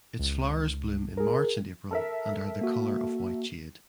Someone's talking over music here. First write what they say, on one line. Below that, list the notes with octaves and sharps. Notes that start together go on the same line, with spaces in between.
Its flowers bloom in March and April and are the colour of white jade.
C#2
G#4 A#4
A4 A#4 E5
A#3 F#4